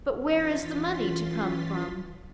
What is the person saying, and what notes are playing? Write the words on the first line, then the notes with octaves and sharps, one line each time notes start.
But where is the money to come from?
E3 C#4 F4 C6 A6 B6